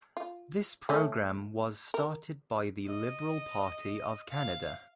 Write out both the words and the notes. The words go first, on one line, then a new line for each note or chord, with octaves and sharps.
This program was started by the Liberal Party of Canada.
F4
A3 C#4
A#4
D#5
F5